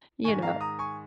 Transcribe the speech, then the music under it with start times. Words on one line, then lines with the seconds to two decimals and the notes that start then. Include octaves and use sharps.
you know.
0.24 G#2 D#3 G#5 C#6
0.42 F5 A#5
0.61 A#5 D#6
0.79 G#5 C#6